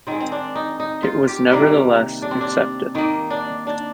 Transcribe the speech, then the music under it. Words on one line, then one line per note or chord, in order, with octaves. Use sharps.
It was nevertheless accepted.
D#3 G#3 C4
C4
D4
D#4
D#4
F4
G4
C3 D#3 G3 A#3
D4
C4
D4
D#3 A#3 D#4
D4
D4